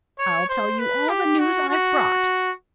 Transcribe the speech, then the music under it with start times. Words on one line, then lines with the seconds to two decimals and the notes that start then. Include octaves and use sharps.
I'll tell you all the news I've brought.
0.19 C#5
0.49 C5
0.79 B4
1.09 G4
1.39 F#4
1.70 F#4